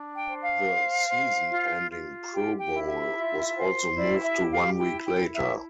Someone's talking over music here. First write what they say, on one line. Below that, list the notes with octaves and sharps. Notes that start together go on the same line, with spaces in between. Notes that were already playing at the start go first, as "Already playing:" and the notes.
The season-ending Pro Bowl was also moved to one week later.
Already playing: D4
G5
C5
F5
C5
C5
F4
F4
G4 G5
G5
E4
E5
F4
C5
E4 D5
E5
G4
F5
E4 G5
G5
E4
E5